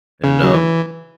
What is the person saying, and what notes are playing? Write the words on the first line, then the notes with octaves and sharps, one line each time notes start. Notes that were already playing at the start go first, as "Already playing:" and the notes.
And um
C#3
F#3
E3